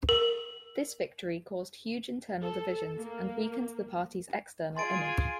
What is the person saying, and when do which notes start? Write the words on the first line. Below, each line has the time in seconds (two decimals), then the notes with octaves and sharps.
This victory caused huge internal divisions and weakened the party's external image.
0.09 A#4
2.41 A4
2.97 A#3
4.77 F4 G#4 G#5 C6 A6 D7